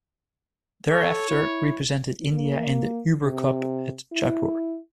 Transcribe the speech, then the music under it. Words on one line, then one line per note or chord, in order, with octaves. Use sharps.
Thereafter, represented India in the Uber Cup at Jaipur.
A4 C#5
E4
A#3
C3
E4